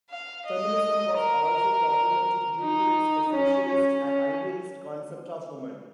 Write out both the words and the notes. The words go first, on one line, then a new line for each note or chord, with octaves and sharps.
Feminism was also problematic due to its essentialist and idealist concept of woman.
F5
D#5
A#4
D#4
C#4
C#4
C#4